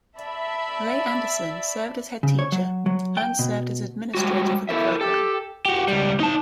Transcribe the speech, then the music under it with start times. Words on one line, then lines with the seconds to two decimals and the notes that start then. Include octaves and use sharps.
Ray Anderson served as Head Teacher and served as administrator for the program.
0.20 D5 E5 A5 B5
2.23 C#3
2.39 C#5
2.52 F#3
2.86 F#3
3.17 G5
3.39 B2
4.15 G3 G#3 F#4
4.69 E4 A4 A#4 E5
5.01 G4 A4
5.66 F#4 G4
5.88 C#2 G3
6.20 D#4 A5